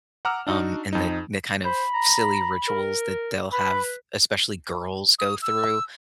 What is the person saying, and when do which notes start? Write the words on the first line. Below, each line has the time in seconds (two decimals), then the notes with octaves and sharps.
um, and the the kind of silly rituals that they'll have, especially girls, go through
0.25 F#5 A#5 D6 E6 F6
0.47 D4 D#4 F#4
0.93 F2 D#4
1.65 C5 B5
1.94 A#5
2.68 A#4
3.52 B4 B5
5.19 D#6
5.42 E6